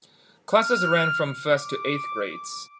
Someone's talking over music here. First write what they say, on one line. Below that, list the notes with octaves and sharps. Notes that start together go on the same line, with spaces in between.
Classes ran from first to eighth grades.
F6
D6